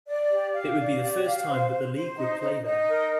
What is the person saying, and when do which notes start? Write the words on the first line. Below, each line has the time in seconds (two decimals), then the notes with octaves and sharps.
It would be the first time that the league would play there.
0.07 D5
0.30 G4
0.53 F5
0.77 D5
1.00 G4
1.24 F5
1.47 C5
1.70 C5
1.93 C5
2.17 D#4
2.40 D#4
2.64 D#4
2.87 A#4